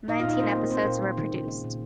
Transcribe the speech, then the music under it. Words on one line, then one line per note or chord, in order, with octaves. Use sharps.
Nineteen episodes were produced.
A#2 D#4 D#5
F4 F5
A#2
D#4 D#5
A#3 C4 C5
A#3
A#3 C4 C5
A#2
G#3
D#3
C#3
G#3
A#2